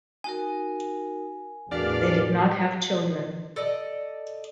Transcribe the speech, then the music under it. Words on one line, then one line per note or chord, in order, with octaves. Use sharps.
They did not have children.
D#4 F#4 A#4 G#5
E2 A2 D4 F#4 A#4 B4 D5 F5
A4 D5 D#5